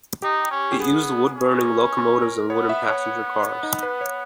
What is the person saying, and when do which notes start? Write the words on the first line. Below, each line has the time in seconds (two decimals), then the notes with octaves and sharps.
It used wood-burning locomotives and wooden passenger cars.
0.22 D#4 G4
0.51 C#4
0.72 G4
0.80 B3 G#4
1.36 C#4
2.22 A#4
2.50 B3 C#5
2.69 E5
2.88 C#5
3.63 D#4
3.83 B4
4.01 C#5